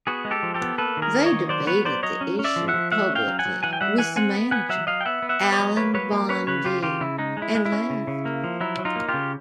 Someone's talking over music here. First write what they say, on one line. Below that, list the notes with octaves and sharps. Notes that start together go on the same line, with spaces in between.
They debated the issue publicly with the manager, Alain Bondue, and left.
B3 F#4 G#4
G#3
G4 A4
F3
G4 A4
B3
A#3 A4 B4
D#3
G#4 A#4
A#3
C#5 D#5
D#3
F#3 C5 D5
B3 B4 C#5
F#3 C5 D5
F#3 C#5 D#5
C#4
C#4
D5 E5
F3
E5 F#5
F3
A3 E5 F#5
C#4
F5 G5
F#3
F#5 G#5
F#3
E3 F#5 G#5
G5
G3 E5 F#5
E3 F#5 G#5
C4 F#5 G#5
B3
B3 F#5 G#5
F#3 E5 F#5
F#3 D#5 F5
G5
B3 E5 F#5
B3
E5 F#5
B3
C#5 D#5
F#3
A#3 B4 C#5
F#3 B4 C#5
A#3
C#4 B4 C#5
C#3 B4 C#5
C#3 F4 G4
C#3 F4 G4
C#3 E4
G#3 D#4
G#3
E4
G#3
E4
C#4
C#3
C#3
A#3
F3
F#3 E4
F#3
D#4 F4
A#3
C#3 F4 G4